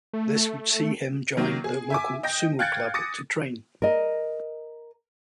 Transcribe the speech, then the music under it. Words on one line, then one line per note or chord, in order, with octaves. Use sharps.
This would see him join the local sumo club to train.
A3
D#3 F#3 A#3
G#4
E5 G#5 D6
D#5 G5 A#6
F5 G5 F#6 G#6 A6 C#7
D6 D#6 A6 A#6 C#7
A#4 D#5